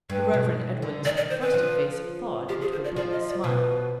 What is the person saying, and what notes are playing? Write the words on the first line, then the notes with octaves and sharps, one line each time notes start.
The Reverend Edwin's frosty face thawed into a bleak smile.
G2 B4
B2
D3
D#3 D5
D5
C5
B4
F3
F3 G4
G#4
C5
D5
F3 D5
D#5
D5
B2 B4